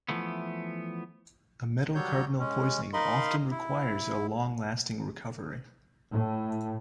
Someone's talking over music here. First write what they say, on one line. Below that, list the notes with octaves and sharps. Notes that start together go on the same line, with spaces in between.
A metal carbonyl poisoning often requires a long-lasting recovery.
E3 F3 A3 B3
F#3 G3 C#5 G6
G#3 C#4
D#4 A#4 D#5 F5 B5 C6
E4
A2